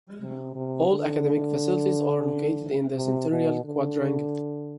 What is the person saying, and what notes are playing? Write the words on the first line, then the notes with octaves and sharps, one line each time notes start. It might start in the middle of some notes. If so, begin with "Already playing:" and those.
All academic facilities are located in the Centennial Quadrangle.
C3
C3
D3
C3
B2
D3